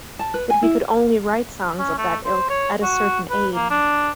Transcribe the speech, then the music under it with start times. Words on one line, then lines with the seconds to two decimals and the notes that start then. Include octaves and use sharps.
But we could only write songs of that ilk at a certain age.
0.19 A5
0.34 B4
0.50 G#5
0.63 E4
1.79 C#4
1.98 A3
2.25 C5
2.50 C#5
2.83 F#4
3.31 B4
3.54 A#3
3.71 D4